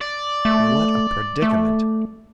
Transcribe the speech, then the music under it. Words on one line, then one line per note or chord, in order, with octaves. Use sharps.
What a predicament!
D5
A3
A3